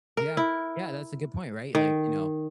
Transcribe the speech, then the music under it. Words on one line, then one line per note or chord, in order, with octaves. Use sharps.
Yeah, yeah, that's a good point, right, like, you know,
A#4
E4
D#3